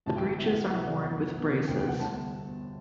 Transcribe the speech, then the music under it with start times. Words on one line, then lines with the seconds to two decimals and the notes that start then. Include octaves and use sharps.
The breeches are worn with braces.
0.06 A1 G2 D3 A5
0.17 G5
0.28 G5
0.38 B1 A2 E3 E5
0.46 F#5
0.55 E5
0.70 D2 C3 E3 F#5
0.87 D5
1.03 G1 F#2 E3 F#5
1.35 B1 B2
1.67 E1 D2 C3 E3 G5
1.79 G5
1.88 F#5
1.99 G1 G2 D3 A5